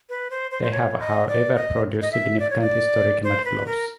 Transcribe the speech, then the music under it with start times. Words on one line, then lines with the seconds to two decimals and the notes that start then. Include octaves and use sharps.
They have however produced significant historic mudflows.
0.09 B4
0.30 C5
0.51 C5
0.63 C5
0.72 C#5
1.00 D#5
1.28 D5
1.56 D#5
2.02 D#5
2.12 E5
2.40 D5
2.50 C#5
2.61 D5
3.24 C5
3.45 B4
3.66 A#4